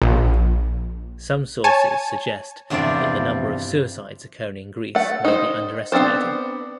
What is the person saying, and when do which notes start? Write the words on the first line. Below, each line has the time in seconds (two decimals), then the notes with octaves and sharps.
Some sources suggest that the number of suicides occurring in Greece may be underestimated.
0.02 A#1
1.64 C#5 G#5 A5
2.70 E2 G2 C3 F3 D5
4.95 A3 F#5
5.25 D#4 C5
5.92 B3 C4 D4 C5